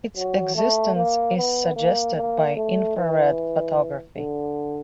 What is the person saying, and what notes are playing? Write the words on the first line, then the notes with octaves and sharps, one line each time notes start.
Its existence is suggested by infrared photography.
F#3
A3
A#3
B3
A#3
A#3
A3
E3
D3